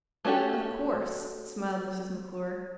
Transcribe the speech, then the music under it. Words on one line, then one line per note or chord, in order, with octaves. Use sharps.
"Of course," smiled Mrs. McClure.
A3 C#4 F#4 G4 A4